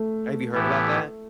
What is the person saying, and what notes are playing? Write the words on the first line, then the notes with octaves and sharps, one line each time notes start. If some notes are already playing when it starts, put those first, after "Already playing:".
have you heard about that?
Already playing: A3
A2 E3 B3 E4 G4